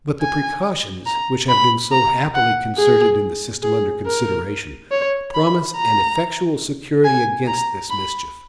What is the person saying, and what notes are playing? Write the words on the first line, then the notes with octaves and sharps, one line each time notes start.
But the precautions which have been so happily concerted in the system under consideration, promise an effectual security against this mischief.
G#5
A#5
B5
A#5
F#5
G#4
G#4
A#4
C#5
B5
A#5
G#5
A#5
B5